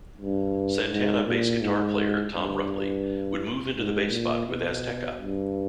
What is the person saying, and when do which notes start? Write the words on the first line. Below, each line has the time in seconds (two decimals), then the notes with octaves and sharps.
Santana bass guitar player Tom Rutley would move into the bass spot with Azteca.
0.18 G2
0.89 G#2
1.25 A#2
1.61 G#2
2.32 G2
3.75 G#2
4.10 A#2
4.46 B2
5.17 G2